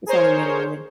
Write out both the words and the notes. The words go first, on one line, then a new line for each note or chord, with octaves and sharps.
There's only men and women.
G#4 A#4 C5 C#5